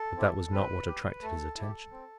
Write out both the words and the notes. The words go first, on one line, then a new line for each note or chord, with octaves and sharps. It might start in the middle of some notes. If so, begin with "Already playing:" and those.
But that was not what attracted his attention.
Already playing: A4
C4 E4 G4
C4 B4
G4
A3 A4
E4 G4
C4